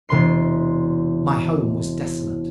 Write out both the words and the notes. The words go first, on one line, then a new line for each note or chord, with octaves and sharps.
My home was desolate.
E1 C3 C6 C7